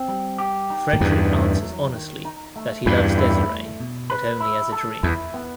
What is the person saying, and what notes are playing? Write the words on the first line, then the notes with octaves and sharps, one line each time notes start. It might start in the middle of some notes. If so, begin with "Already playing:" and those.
Fredrik answers honestly that he loves Desiree, but only as a dream.
Already playing: C4
G3
G4
D#4
A2
E2 G2 D#4
A3
F#3
D#3
D#4
A3
E2 G2 B4
E4
A3
B2
B4
E4
A4
E2 E4
B3